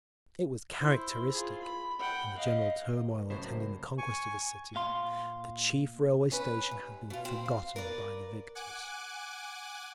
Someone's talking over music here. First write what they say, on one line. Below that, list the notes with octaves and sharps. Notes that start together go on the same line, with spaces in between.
It was characteristic--in the general turmoil attending the conquest of the city, the chief railway station had been forgotten by the victors....
E4 C5
F4 G#4
B5
F#5 G5
D#5 F5
A#3
A#1 A2 C#3 F#3 A#3 A#4 C5 E5
G#5 C#6
A#2 F5 C6
C#4 B4
D#2
B2 F4
C4
F5
A#4 B4 D5
F#5 G#5 D6 F#6